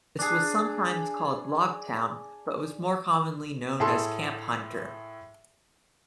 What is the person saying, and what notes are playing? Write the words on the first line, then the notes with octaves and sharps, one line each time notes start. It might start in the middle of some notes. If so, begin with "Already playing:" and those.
This was sometimes called Log Town, but was more commonly known as Camp Hunter.
D4 G#4
A2 G#4 A4 C6